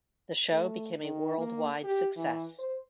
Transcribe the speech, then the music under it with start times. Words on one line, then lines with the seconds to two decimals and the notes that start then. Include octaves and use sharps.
The show became a worldwide success.
0.52 A3
1.01 D#3
1.38 A#3
1.84 G4
2.17 E3
2.59 C5